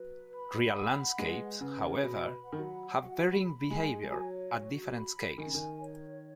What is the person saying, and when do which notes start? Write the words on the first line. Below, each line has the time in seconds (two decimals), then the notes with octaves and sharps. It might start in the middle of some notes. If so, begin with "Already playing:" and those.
Real landscapes however, have varying behaviour at different scales.
Already playing: F#3 B4
0.35 B5
0.77 F#5
1.19 G#3 B4
1.61 C#3 B4
2.03 B2 B5
2.44 F#5
2.52 D#3
2.58 F#3
2.87 F#4
3.29 B5
3.70 G#3 G#5
4.12 F#3 C#5
4.54 F#4
4.96 B5
5.38 D#3 G#5
5.46 C#3
5.54 D#3
5.80 C#5